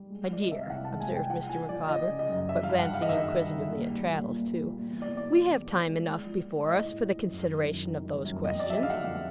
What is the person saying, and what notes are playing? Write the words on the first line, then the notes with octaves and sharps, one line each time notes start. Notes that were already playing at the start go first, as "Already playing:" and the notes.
'My dear,' observed Mr. Micawber--but glancing inquisitively at Traddles, too; 'we have time enough before us, for the consideration of those questions.'
Already playing: G3
G#3
F3 D5
D#5
C3 E5
F5
C2 F#5
A5
G#3
G#5
C2
G5
F3 F#5
F3 G#5
F3 D5
F3 D#5
C#3
D#5
F#2
G3 E5
F5
G2
F#5
G2 F5
D#5
D#3 E5
G3
D#3
A#2
G3
A#2
A#2
G3
A#2
E2
D5
E2
D5
B2 D5
E2
E2
G#3
G#3
F3
G#3
A2 D#5
A2
F3
F#2
D#3
F#2
D#3
G3
F#2
F2 D#5
F#3 D5
E5
D#5
D3 F5
F#5
F2